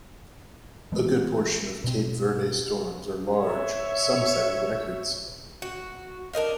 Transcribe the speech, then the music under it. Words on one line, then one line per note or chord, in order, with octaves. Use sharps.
A good portion of Cape Verde storms are large, some setting records.
E3 G#3 A3 B3
B2 C4
C#5 E5
F#4
D4 A#4 D#5 F5